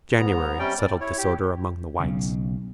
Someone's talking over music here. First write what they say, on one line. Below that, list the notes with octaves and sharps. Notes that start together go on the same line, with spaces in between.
January settled disorder among the whites.
G#2 B3 A#5
C3 G3 C#4 D5 G5
D5
E4 C#5
G4
B1 C#3